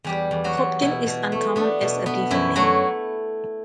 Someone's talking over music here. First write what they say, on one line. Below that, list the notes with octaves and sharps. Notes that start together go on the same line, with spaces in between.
Hopkin is uncommon as a given name.
E2 G3 G4
E2
F#3 F#4
E2
B2 E4
B2
A3
B3 D4
B2
B3
F#2 E4
F#3 A3 F#4